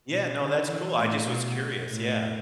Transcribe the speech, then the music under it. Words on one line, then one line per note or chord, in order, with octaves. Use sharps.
yeah, no, that's cool. I just was curious, yeah.
B2
D3
E3
A2
B2
A2